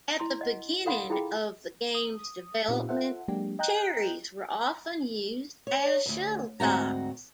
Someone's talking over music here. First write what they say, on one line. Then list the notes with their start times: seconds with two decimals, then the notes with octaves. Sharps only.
At the beginning of the game's development, cherries were often used as shuttlecocks.
0.20 E4 C6
0.41 D#5 F#5
0.86 A4 F5 F#5 B5 C6
1.10 E4 F4 G#4 G5 B5
1.95 D#6
2.68 A#2 C4 D#4 F4 G4
2.89 F4 A4 C5 E5 F#5
3.28 F#3 G#3 A#3 D4 G4
3.59 D#5 G5 A#5 F#6 G6
5.67 C#5
6.06 D2 G2
6.60 D2 G#2 C4 F#4 A#5